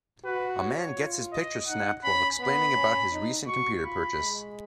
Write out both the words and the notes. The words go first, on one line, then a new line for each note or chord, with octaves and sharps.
A man gets his picture snapped while explaining about his recent computer purchase.
F#4 B4
C#5
F4
D#5
D#4 F#5
C#4 B5
B3 B5
C#4
D#4
F#4 C#6
F4 B5
G#3